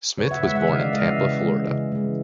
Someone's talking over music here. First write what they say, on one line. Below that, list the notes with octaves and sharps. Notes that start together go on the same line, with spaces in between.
Smith was born in Tampa, Florida.
C#3 B4 C#5
E5 F#5
E3 G#3 E5 F#5
E5 F#5
C#3 D#5 F5
D5 E5
E3 G#3 D#5 F5
E5 F#5
C#3
E3 G#3
C#3
E3 G#3